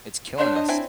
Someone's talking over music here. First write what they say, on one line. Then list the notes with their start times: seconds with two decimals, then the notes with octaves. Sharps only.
It's killing us.
0.38 D4 C#5 D5 C6
0.56 D#5
0.68 C4 E4 G#5